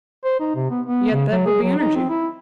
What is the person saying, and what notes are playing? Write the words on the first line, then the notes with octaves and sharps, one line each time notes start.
Yet that would be energy.'
C5
D#4
C3
B3
B3
C#3
F#3
G#4
F#3
D#4
C4
E4